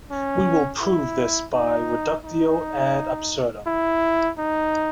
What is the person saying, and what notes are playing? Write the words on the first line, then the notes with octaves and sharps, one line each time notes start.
We will prove this by reductio ad absurdum.
C#4
E4
D#4
D#4
E4
D#4